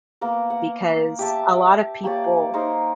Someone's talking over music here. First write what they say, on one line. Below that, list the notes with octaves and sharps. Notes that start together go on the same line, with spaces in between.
because a lot of people,
A#3 B3 A#4
F#5
G4 E5 A5 D6
A#3 G4 C#5 D5
D#4 A#4 C5 C#5